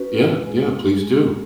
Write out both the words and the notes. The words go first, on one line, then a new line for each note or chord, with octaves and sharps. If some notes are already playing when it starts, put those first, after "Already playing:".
Yeah. Yeah. Please do.
Already playing: C#4 F#4 B4
G#3
G#3 G#4
G#3
G#3